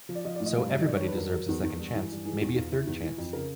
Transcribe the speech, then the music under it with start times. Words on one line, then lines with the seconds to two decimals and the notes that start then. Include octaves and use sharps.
So everybody deserves a second chance, maybe a third chance.
0.09 F3
0.15 D5
0.25 F3 D#5
0.35 D5
0.40 A2
0.46 D#5
0.56 G2 F5
0.71 F#3 E5
0.81 D#5
0.87 D#3 D5
0.96 C#5
1.02 G2
1.08 B4
1.17 F#3 A#4
1.33 F#3
1.49 E2
1.64 E2
1.79 G2
1.95 E3
2.10 G2
2.25 E3 G#4
2.35 G4
2.40 E2 F#4
2.56 E2 F4
2.71 C3 E4
2.87 E2
3.02 E3
3.18 F2
3.33 C#3 A#4